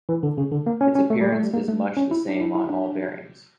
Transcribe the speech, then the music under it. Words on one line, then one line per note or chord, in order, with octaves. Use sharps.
Its appearance is much the same on all bearings.
E3
D3
C#3
D3
A#3
C#4
C#4
A3
G3
A3
G3
A#3
A3
C#4
E4
D4
E4
E4
D4